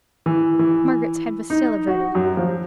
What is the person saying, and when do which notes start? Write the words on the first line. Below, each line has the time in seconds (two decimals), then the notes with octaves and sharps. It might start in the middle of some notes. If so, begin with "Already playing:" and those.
Margaret's head was still averted.
0.26 E3
0.59 E3
1.50 D#4
1.88 F#4
2.15 F#2
2.37 F3